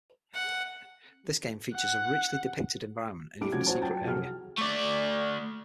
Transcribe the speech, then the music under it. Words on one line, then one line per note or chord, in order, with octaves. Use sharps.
This game features a richly depicted environment and even a secret area.
F#5
F#5
G3 D4 E4 D6 D7
F3 A3 C#4 F#4 G#6
C#4 F4 F#4 C5 C#5 A5
F#3 F4 G5 A5
C2 F3 F#3 G#4 F6
A3 D5